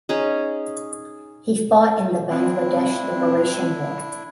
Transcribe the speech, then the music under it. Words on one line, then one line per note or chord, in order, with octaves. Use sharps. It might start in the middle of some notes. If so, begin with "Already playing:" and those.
He fought in the Bangladesh Liberation war.
C#4 D#4 G#4
C4 D4 E4